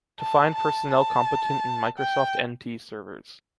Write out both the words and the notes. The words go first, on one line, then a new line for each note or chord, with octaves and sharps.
To find personnel competent in Microsoft NT Servers.
A5
A5
A5
G5